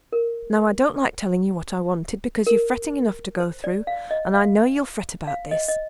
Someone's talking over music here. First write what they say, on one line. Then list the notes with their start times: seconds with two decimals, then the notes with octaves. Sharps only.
'Now I don't like telling you what I wanted, because you've fretting enough to go through, and I know you'll fret about this.
0.12 A#4
2.47 A#4
3.40 C5
3.64 D5
3.87 F5
4.11 D#5
4.34 F5
5.27 F5
5.51 D#5
5.68 D#5